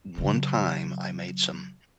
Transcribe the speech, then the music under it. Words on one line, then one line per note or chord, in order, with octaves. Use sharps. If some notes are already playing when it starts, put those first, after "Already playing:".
one time, I made some
C#3 F#3